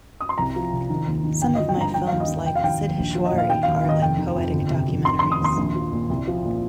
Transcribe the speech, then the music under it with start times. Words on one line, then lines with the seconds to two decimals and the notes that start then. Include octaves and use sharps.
Some of my films like "Siddheshwari" are like poetic documentaries.
0.21 D#6
0.29 C6
0.38 C2 A#5
0.56 F3
0.73 C3
0.89 D#3
1.08 D#2
1.24 D#3
1.42 G1 G5
1.55 D#5
1.60 F3
1.69 G5
1.77 G2 A#5
1.94 D#3 G5
2.07 D#2 F5
2.20 D#5
2.28 D#3
2.46 F1 G5
2.56 F5
2.63 D#3 G5
2.81 D#2
2.98 A#1
3.15 F3
3.26 D#5
3.33 A#2 F5
3.49 D#3 G5
3.63 F5
3.68 D#2
3.76 F5
3.84 D#3 D#5
4.02 F1 G5
4.19 D#3
4.37 F2
4.53 G1
4.70 C3
4.88 F2
5.05 F1 C6
5.19 C6
5.24 D#3
5.32 D#6
5.40 D#2 C6
5.57 A#1
5.76 F3
5.92 A#2
6.09 C2
6.27 F3
6.45 A#2